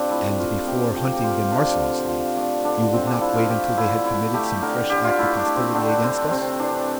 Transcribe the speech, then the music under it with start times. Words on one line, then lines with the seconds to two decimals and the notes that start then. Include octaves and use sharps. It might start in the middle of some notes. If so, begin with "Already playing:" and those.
"And before hunting them mercilessly, you would not wait until they had committed some fresh act of hostility against us?"
Already playing: C3 F3 C4 D4
0.11 A3 E4
0.39 C3 F4
0.67 C3 G4
0.95 F3 G4
1.12 G4
1.23 A3 F4
1.52 C3 D4
1.80 D3
2.08 F3
2.36 A3 D4
2.65 D3 D4
2.92 D3 C4
3.07 D4
3.21 F3 E4
3.35 F4
3.49 A3 G4
3.77 D3 E4
4.05 A3 E4
4.34 A3 G4
4.62 D3 A#4
4.75 A#4
4.89 D3 G4
5.04 F4
5.18 A3 E4
5.37 D4
5.46 A3
5.56 C4
5.74 D3 D4
6.02 D3 C4
6.31 C3 C4
6.59 E3 D4